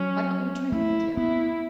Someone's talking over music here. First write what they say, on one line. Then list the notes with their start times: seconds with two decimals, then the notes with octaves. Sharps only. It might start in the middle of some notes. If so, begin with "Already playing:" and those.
Why don't you drink, Mitya?
Already playing: F#3 C#4
0.72 A3 E4
1.17 B3 E4